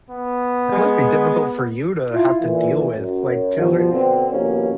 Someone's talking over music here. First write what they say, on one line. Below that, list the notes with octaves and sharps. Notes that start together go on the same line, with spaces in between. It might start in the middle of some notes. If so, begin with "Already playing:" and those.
That must be difficult for you to have to deal with, like, children
B3
G#3
E4 F4
A#2 D3 E3
F#2
G2 B2 F3
B2 D3 C4
A#1 D#2 B2 A#3 C#4